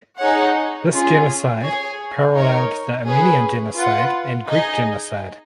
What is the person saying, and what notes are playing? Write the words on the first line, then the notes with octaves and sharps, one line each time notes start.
This genocide paralleled the Armenian genocide and Greek genocide.
D#4 G#4 C#5 F#5
C#4 F4 G#4
G#4 C#5 G#5
D#4 A#4 C#5
C#4 G#4 B4
F4 B4 F#5
D#4 G#4 D#5 G#5